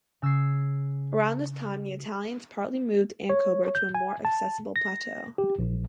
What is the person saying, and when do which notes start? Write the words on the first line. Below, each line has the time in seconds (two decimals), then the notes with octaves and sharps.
Around this time the Italians partly moved Ankober to a more accessible plateau.
0.22 C#3 E6 G#6 C7
3.30 C#5
3.75 G6
3.95 G#5
4.25 A5
4.76 A#6
5.38 G4
5.59 A#1